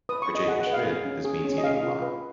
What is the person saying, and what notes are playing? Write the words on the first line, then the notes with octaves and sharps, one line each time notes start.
For Jacob Schmidt, this means eating a lot.
B4 D#6
C#6
G#4
D#5
G#4 F#5
F#5
B4
F5
G#4
C#4
G#4
C#4
D#5
G#4 F5
F4
B4